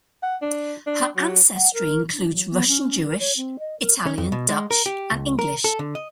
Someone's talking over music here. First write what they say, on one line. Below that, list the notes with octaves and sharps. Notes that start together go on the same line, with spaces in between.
Her ancestry includes Russian-Jewish, Italian, Dutch, and English.
F#5
D4
D4
F#3
F#5
A#4
D4
F#3
B3
C#4
A#4
C#5
C4
D#5
A#4
C#4
F2
B2
G#3
A#4
G4
C#2
A#4
A4
D3
D#5